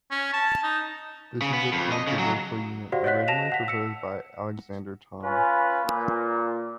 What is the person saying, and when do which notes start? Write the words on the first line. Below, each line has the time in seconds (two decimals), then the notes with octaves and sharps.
This is a controversial unit originally proposed by Alexander Thom.
0.11 C#4
0.34 A5
0.63 D#4
1.42 C#3
1.54 B3
1.73 F2
1.92 D#5
2.07 C#3
2.19 F#3
2.92 F#4 G4 C5 D5 F5 F#5
3.04 C#5 D#5 F5 F#5 F#6 B6
3.28 A5 A#6 E7 F7
3.52 F#5 B6
3.68 E6 C#7
5.23 C#4 F4 B4
5.85 A#2